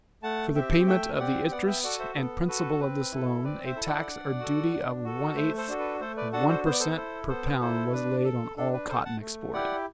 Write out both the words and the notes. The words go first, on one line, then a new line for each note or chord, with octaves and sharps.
For the payment of the interest and principal of this loan a tax or duty of one eighth of one per cent. per pound was laid on all cotton exported.
A3 F#5 A5
C4 G4 E5 G5
A3 E5 G5
C4 G4 D5 F#5
B3 D5 F#5
E5 G5
F#4 A4 D5 F#5
C5 E5
B3 A4
F#4 A4 B4
C4 B4
E4 A4
C4 B4 D5
C5 E5
E4 A4
D5 F#5
D4
F#4 A4
D4
F#4 A4
A3 C5 E5
A4 C5
D4 F#4 A4
B4
A3 A4 C5
B4 D5
D4 F#4 A4 F#5 A5
A4 C5
B3 C5
D5
A4 C5
E4 A4 C5
B3 A4 C5
E4 A4 C5
D4 B4
A4
D4 A4
B4
A4 C5
F#5 A5
A3
E4 G4 D5 F#5